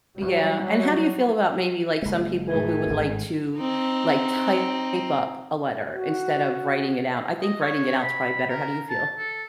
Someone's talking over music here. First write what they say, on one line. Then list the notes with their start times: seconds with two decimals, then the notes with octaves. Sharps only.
Yeah, and how do you feel about maybe, like, some people who would like to, like, type up a letter instead of writing it out? I think writing it out's probably better. How do you feel?
0.16 F#3 G3
2.02 F#1 G#3
2.49 A2 D#3 G#4 G#5
2.87 G#1 G#2
3.57 C4 D#4
5.97 F#4
7.42 D#5
7.61 C#5
8.03 B5
8.49 A#4
8.90 A5
9.18 A4